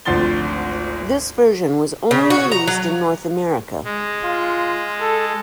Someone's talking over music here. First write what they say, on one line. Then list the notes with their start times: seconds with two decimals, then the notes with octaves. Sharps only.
This version was only released in North America.
0.05 G#1 D2 F3 C6 A6 G7
2.11 C#3
2.30 F#4
2.52 A#5
2.67 F#3
3.85 G#3
4.24 F4
5.01 A4